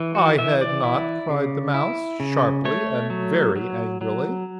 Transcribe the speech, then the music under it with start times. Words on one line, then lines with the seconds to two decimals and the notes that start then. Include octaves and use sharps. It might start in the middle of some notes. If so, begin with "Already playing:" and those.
'I had NOT!' cried the Mouse, sharply and very angrily.
Already playing: E3
0.15 F#4
0.38 E3 E5
0.61 D5
0.84 E4
1.29 C#3
1.74 E4
2.20 C#3
2.65 A3 C#5
3.10 F#3
3.56 F#3
4.01 F#3